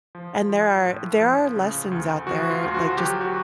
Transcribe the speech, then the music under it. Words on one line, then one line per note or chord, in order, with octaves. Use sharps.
and there are there are lessons out there, like, just
F3
F3
A2
F3
C#3
D2
F3 F#4
F4
D2
F#4
F#4
F#3 G4
F#4